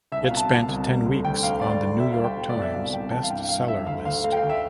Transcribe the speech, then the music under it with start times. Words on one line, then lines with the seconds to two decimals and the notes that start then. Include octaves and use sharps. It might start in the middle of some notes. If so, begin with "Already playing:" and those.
It spent ten weeks on "The New York Times" Best Seller list.
0.12 C2 E5
0.24 F5
0.31 B2
0.37 A5
0.50 C2
0.68 C2
0.87 G3
1.06 D2
1.24 D2 G5
1.43 D2 F5
1.61 G3 D5
1.80 A2
2.00 G3 E5
2.12 F5
2.18 G3
2.24 G5
2.37 B2
2.49 D5
2.55 B2
2.62 E5
2.74 C2 F5
2.93 C2 G5
3.11 E3 A5
3.23 F5
3.30 G2 G5
3.49 G3 F5
3.68 G2 E5
3.86 D2 F5
4.05 D2 F5
4.24 A3 F5
4.32 G5
4.37 F5
4.43 D2
4.50 E5